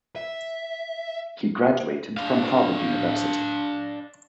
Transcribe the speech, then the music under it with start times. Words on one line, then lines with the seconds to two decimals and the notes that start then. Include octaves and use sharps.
He graduated from Harvard University.
0.16 E5
2.17 D4 F5